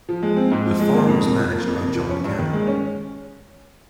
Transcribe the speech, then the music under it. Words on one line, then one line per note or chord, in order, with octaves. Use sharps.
The farm was managed by John Cannon.
F3
G#3
C4
G#2
F3
G#3
A#3
F2
C3
F3
A#3
F2
C3
F3
C#4
G2
D#3
G#3
C#4